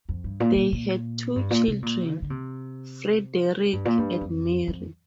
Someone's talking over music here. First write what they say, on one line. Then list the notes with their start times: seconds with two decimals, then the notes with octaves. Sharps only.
They had two children, Frederick and Mary.
0.09 F2
0.24 G2
0.40 A#2
0.56 A#2
0.72 A#2
1.36 G2
1.50 A#2
1.68 C3
1.82 A#2
2.14 F3
2.22 D3
2.30 C3
3.73 G2
3.85 A#2
3.99 G2
4.21 F2
4.68 F2